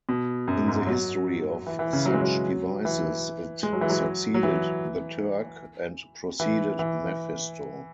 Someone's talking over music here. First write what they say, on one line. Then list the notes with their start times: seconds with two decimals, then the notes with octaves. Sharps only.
In the history of such devices, it succeeded "The Turk" and preceded "Mephisto".
0.09 B2
0.48 F#2
0.68 G#2
0.87 F#3
1.66 E3
1.79 E3
1.93 C#3
2.05 F#3
2.14 G#3
2.22 F#3
2.85 E3
3.63 G#3
3.73 F#3
3.81 E3
3.89 F#3
4.34 F#3
4.43 E3
6.40 E3
6.79 E3